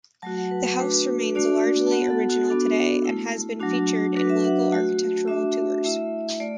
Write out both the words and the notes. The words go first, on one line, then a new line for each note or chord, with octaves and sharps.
The house remains largely original today and has been featured in local architectural tours.
F#3 A3 F#4 A5
F#5
B4
A3 D4 F#4 B4
A3 D4 F#4 D5
A5
B3 F#4 F#5
A4
F#4
B3 D4 F#4 A4
A3 E4
F#3 A3 D4 F#4
F#3 D4 F#4 B4
E5
F#5
F#5
A3 F#4 A5
A3 D4 F#4 E5
A3 E4 E5
A3 D5